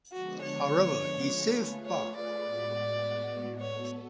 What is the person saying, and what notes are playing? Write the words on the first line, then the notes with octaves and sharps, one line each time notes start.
However he saved par.
D3 F3 G#3 B3 D4 F#4
C#5
A3 F4 G#4 B4
C#5
D5
A2 G#3 B3 F#4
B3 F#4 A4 C#5